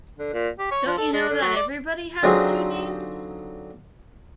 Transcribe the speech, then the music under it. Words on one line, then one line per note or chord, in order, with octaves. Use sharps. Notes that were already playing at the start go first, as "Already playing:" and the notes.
Don't you know that everybody has two names?
D3
A#2
G4
C#5
F3
A4
G#3
D3
F#3
D5
D3 F#3 C4 D#4 F4 G#4